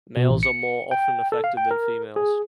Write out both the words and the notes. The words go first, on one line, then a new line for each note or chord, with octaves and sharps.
Males are more often affected than females.
B2
A1
C#7
G5
A4
F5
G5
A#4
G#4